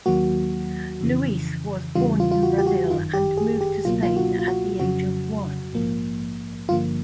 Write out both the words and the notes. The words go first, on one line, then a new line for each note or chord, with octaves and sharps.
Luiz was born in Brazil and moved to Spain at the age of one.
D#2 D#3 F#3 A#3 F#4
F2 C#3 E3
E2 C#3 E3 G3 F4
F4
F4
F#4
G4
F#4
G1 F#2 D#3 F4
G4
G#4
G4
C#2 B2 F#3 A#3 F4
F4
F#4
F4
F#4
F2 C#3 F#3 F#4
A#1 G#2 F3 A#3
G1 G2 D3 F3 A#3 F4